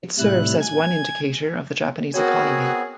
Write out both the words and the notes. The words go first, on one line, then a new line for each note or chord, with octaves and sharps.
It serves as one indicator of the Japanese economy.
A2 C3 G3 E4 F#6
G#5 G#6
B3 C4 F#4 G#4 A#4 C#5